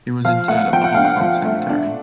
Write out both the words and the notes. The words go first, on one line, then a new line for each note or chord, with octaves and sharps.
He was interred at the Hong Kong Cemetery.
F3 F5
A3 F#5
F3 G5
F#5
D4 F5
F#5
F3
A3
D4